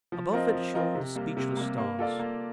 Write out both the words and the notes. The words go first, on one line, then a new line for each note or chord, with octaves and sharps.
Above it shone the speechless stars.
F3
C4 F4 A#4 D#5
F3
C4 F4 A#4 D#5
C3
G3 A#3
C3
G3 A#3
A#3
F4 A4 D5 F5
A#3